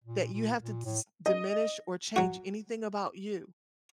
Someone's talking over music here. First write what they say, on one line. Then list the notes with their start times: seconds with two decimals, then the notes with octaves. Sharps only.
that you have to dis diminish or change anything about you,
0.04 A#2
0.33 A#2
0.62 A#2
0.85 A2
1.26 D#5
2.16 F#3 F#4